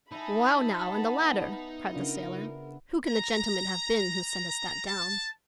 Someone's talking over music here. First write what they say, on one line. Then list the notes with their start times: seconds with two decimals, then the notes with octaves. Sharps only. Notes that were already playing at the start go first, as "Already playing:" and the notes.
"Well now, and the ladder," cried the sailor; "who can the gentleman have been who sent us that down?"
0.12 D#4 E4 G#5 A5 B5
0.94 B3
1.94 C#3 D4 F4 A#4
3.07 A#5
4.87 A5